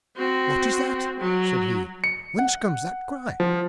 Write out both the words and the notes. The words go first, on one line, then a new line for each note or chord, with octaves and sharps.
"What is that?" said he; "whence comes that cry?"
C4 F#4
F#3
C#7
F#5
F3